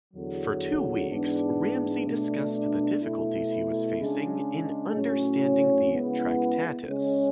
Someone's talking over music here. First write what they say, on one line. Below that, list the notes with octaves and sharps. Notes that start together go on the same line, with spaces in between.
For two weeks Ramsey discussed the difficulties he was facing in understanding the "Tractatus".
E2 D3 F#3
G#2 E3 B3 D4
B2 A3 D4
B2 A3 E4
C#3 G#3 D4
A2 F#3 C#4
C#3 G#3 B3 E4
C#3 G#3 C#4